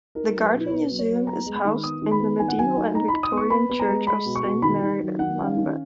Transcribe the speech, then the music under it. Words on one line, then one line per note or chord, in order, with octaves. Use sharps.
The Garden Museum is housed in the medieval and Victorian church of Saint Mary-at-Lambeth.
D#4 A#4
F#3
B4
B2
C#5
B3 B4
F#3
C#5
F#3
B3 A#5
G#3
B5
D#3
B3 D#6
D#3
B5
B3
D#3 G#5
F#5
F#3 G#5
D#4
D#4 A#5
D#4 B5
D#6
B3
C#6
B3 B5
B3
A#5
G#3
G#3 B5
B2
C#6
B2
D#3 B5
D#3
F#3
D#3 F#5
C#4
F5
D#3